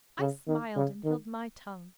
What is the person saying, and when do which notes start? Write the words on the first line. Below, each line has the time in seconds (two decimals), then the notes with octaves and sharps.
I smiled and held my tongue.
0.20 C#3
0.48 D#3
0.76 C#3
1.04 D#3